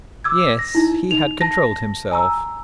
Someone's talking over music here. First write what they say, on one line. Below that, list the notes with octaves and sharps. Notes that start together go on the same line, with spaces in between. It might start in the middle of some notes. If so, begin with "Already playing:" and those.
Yes, he had controlled himself.
D6 E6 G#6
A#6
D#4 E4
D#4 F7
A5 A#6
G#5 A#5 E6